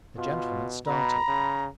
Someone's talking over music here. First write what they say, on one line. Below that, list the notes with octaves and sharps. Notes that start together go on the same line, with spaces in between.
The gentleman started.
B2 F4
B2 A#5 B5
C#3